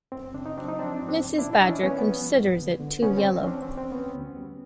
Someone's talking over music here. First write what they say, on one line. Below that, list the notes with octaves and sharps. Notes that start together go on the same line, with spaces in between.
Mrs. Badger considers it too yellow.
F#2 C4
C#3 D4
D#4
F#3 C4 D4
D#4
F3 C4 D4
G#2
C4 D4
C#2
D4 E4
B2
D4 E4
E3 C#4 D#4
B3 C#4
G3
B3
F3
G#2
D3
D3
C3 B3 C#4
C4
D2
C#4
E3 C4 D4
C4
F2
C4
D2 B3 C#4
D2
G3